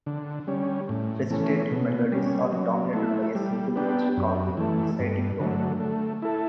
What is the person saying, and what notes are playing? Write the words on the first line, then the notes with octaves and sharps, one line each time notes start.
Recitative melodies are dominated by a single pitch, called the "reciting tone".
D3
G3 C#4
A2
E3 A3 C#4
B2
G3 C#4
F#3
A3 E4
G3
B3 D4 G4
F#2
E3 A3
G2
D3 F#3 A3
A3
E4 A4